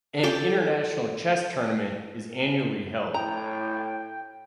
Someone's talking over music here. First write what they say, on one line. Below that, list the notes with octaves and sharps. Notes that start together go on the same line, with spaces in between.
An international chess tournament is annually held.
A4 G5 D6
A2 G5 A#5